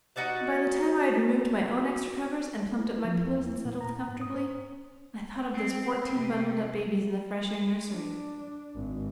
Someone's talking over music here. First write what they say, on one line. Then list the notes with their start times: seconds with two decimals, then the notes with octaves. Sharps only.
By the time I had removed my own extra covers and plumped up my pillow and settled comfortably, I thought of those fourteen bundled-up babies in the fresh-air nursery.
0.16 D#4 F#4 D5 F#5
2.79 E4
3.05 F3
3.22 E2
3.46 E4
3.65 A#2
3.81 A#5
4.08 G#2
4.21 D#6
4.34 C5
5.54 C4
6.14 C3
7.90 D4
8.75 G#1